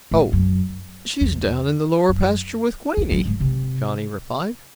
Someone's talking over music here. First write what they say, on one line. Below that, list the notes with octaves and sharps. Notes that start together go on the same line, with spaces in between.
"Oh, she's down in the lower pasture with Queenie," Johnny replied.
A2
F#2
E2
F#2
E2
F#2
G#2
C3